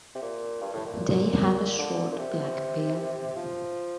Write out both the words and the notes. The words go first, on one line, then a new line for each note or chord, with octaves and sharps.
They have a short black bill.
C3
A#2
G2
A2
A#2
D3
A#2
C3
F3